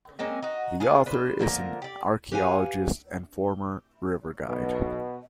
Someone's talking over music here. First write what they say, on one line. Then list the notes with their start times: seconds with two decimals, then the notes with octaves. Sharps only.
The author is an archeologist and former river guide.
0.19 G#3 A#3 C4 C#4
0.42 D#4 F#4
0.80 D4 F4 G#4
1.06 D4 B4 C5
1.39 D3 F3 A#3 A#4
1.82 G4 D5
2.32 G4 B4 F5 F#5 G#5
4.48 B1 B2